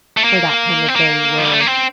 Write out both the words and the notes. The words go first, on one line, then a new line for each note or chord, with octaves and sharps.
for that kinda thing, where
A3
A#3
C4
A#3
F3
G3
A3
A#3
C4